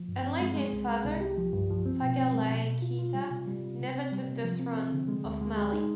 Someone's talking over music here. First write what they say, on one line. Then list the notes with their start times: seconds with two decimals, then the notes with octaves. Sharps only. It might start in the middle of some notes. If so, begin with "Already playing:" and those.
Unlike his father, Faga Laye Keita never took the throne of Mali.
Already playing: F3
0.08 G2
0.23 C4
0.41 G#3
0.56 G#3
0.73 C2
0.89 G#3
1.04 C2
1.20 G4
1.37 F3
1.53 G2
1.70 F3
1.86 C4
2.02 B2
2.18 C4
2.33 G#3
2.50 B2
2.66 B2
2.82 F4
2.99 F4
3.14 G3
3.30 C3
3.47 G3
3.63 C3
3.79 C3
3.95 C4
4.12 G3
4.28 C3
4.44 F3
4.60 C4
4.77 C4
4.92 D3
5.08 G#3
5.25 D2
5.41 G#3
5.57 G#3
5.73 D#4